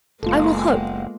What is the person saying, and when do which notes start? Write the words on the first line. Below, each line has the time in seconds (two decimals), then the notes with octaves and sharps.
I will hope.
0.23 F#1 G#3 A#3 B3 F4 A4